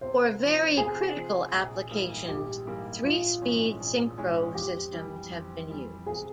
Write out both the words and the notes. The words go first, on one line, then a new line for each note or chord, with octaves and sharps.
For very critical applications, three-speed synchro systems have been used.
C3 C5
F3 C4
C3 G#4
F3 C4
A#1
G#2 E3 G3 A#3
A#1 G4
G#2 E3 G3 A#3
A#1 F4
G#2 E3 G#3 C#4
A#1
G#2 E3 G#3 C#4
F2 G4
E3 G3
F2
E3 G3
C3 G#4